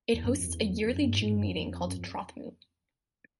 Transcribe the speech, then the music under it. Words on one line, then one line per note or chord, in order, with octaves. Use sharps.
It hosts a yearly June meeting called Trothmoot.
E2
F#2
F2
E2
F2
E2
F2
F#2
G2
A2
G#2
G2
F#2
F2
F#2
F2